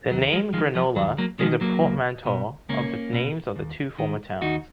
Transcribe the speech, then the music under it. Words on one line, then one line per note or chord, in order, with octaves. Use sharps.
The name Grenola is a portmanteau of the names of the two former towns.
D#2 F#3
F3 G#3
D#3 F3 G#3
F3
D#2 F#3
F#3 A#3
D#3 F3 G#3
F#3 A#3
C#2
B2
C#2 A#3 C#4
B2
D#2
D#3
D#2 D#4 F#4